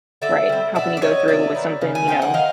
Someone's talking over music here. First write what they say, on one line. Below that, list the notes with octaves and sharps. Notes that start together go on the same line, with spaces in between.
Right, how can you go through with something, you know?
D3 D5 E5
G3 C4
B2 D5 E5
D5
G#3 C#4 C#5 D#5
C3 D5 E5
D#3 F#3 B3
C#3
G#5
F3 G#3 C4 G5
F#5
D#3 D#5 F5